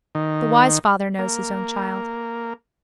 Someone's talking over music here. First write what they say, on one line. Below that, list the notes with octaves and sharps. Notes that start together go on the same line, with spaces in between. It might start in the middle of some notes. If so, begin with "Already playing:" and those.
The wise father knows his own child.
D#3
A#3